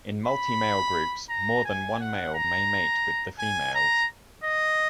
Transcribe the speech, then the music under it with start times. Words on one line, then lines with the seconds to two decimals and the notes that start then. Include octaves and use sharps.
In multi-male groups, more than one male may mate with the females.
0.26 B5
1.29 A#5
1.65 G#5
2.00 F#5
2.34 A#5
3.39 G#5
3.74 A#5
4.43 D#5